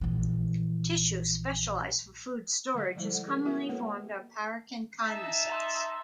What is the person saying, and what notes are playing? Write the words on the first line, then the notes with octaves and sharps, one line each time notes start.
Tissue specialised for food storage is commonly formed of parenchyma cells.
A#1 E3
D3 F#3 G#3 F5 F#5
F3 G3 G#3 E4 C5
A4 F#5
C4 G#4 A#4
B3 E4 F#4 A#4 E5
G#3 A#3 B3 A4 B4 C#5
D#4 E5 A5
A#5 C6 E6